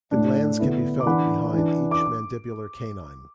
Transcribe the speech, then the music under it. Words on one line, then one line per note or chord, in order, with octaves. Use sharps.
The glands can be felt behind each mandibular canine.
A2 A3 D4
D3 B3 E4
D6
E3 D4 F#5 B5
E3 D4
D6